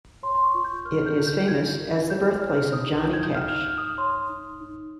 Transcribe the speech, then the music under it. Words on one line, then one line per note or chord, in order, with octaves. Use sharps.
It is famous as the birthplace of Johnny Cash.
C#5 C6
C6
C#6
F4
G6
A#4 F6
G6
F4
G6
F4 G#6
A#4
C#5 G6
C#5 F6
D#4 D#6
D#4 G6
G#6
G6
D#4 F6
F6
D#4
D#6
C#5 C6
D#4
D#4